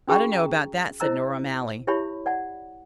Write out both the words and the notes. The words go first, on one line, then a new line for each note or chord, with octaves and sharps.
"I don't know about that," said Nora O'Malley.
C#4 F#4 G#4 G5 A5 C#6
A#5
E4 C5 D#5 A#5 E6
E4 G4 C#5 E5 A5 B5
D5 F#5 A5